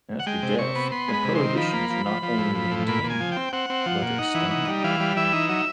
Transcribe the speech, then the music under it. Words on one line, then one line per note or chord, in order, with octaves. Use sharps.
After death, the prohibitions are not only maintained but extended.
F#5
G#3 G5
C3
C3 C#6
B3
B3 C6
G#3
B5
C3
C6
D#3
F3 B5
A#3
F3
F3
F3
A2
F3
A2
A#2 B5
A#2
G#5
F3
C4 G5
C4 F#5
C4
F3
A#2
D#4
E3
D#4
G3
E3 F5
G3
E3 E5
D#4
F#3 E5